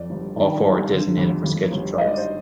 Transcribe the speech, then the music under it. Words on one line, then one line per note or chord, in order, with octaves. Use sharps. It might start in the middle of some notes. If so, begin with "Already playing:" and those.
All four are designated for scheduled tribes.
Already playing: F2 D5
G1
D#3
G2
D3
F2
F2
G1
G#2 D#5
D5
C5